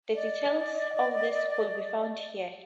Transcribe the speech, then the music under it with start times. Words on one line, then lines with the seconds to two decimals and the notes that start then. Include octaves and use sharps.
The details of this could be found here.
0.15 D5 D#5